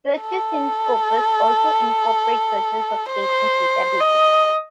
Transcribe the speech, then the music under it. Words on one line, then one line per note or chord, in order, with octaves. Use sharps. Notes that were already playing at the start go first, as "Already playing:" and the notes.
Searches in Scopus also incorporate searches of patent databases.
A4
C5
D#5